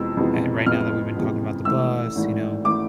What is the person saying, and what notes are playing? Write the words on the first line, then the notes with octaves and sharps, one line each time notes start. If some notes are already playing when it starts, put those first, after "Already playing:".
eh, right now that we've been talking about the bus, you know,
Already playing: F2 C3 E3 G#3 B3 E6
F2 C3 E3 G#3 B3
F2 C3 E3 G#3 B3 F6
F2 C3 E3 G#3 B3
G#1 G#2 E3 A3 E6
G#1 G#2 E3 A3
E3 A3 D6